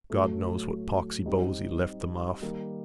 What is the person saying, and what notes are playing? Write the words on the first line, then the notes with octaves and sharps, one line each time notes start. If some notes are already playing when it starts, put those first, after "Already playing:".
God knows what poxy bowsy left them off.
A2 F#3 A3
G3 C4 D#4 G4
D#3 G3 A#3 D#4